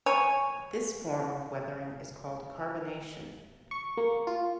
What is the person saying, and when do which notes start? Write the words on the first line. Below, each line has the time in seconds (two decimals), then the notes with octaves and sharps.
This form of weathering is called carbonation.
0.06 C#5 G#5
3.71 C#6
3.97 A#3
4.27 F4